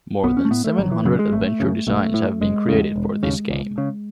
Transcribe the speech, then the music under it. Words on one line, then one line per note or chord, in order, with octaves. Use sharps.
More than seven hundred adventure designs have been created for this game.
B1 B3
C#4
A3
A2 B3
A3
G#1 F#3
E3
F#2 C#3 F#3
G#3
G#1 A3
F#2 C#3
B1 A3
A2
F#1 G#3
E2 C#3
E1
D#2 C#3
C#2
C#3